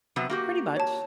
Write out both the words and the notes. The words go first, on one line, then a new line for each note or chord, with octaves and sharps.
Pretty much.
C3 F#3 B3
A#3 F#4 G4
C#5 A5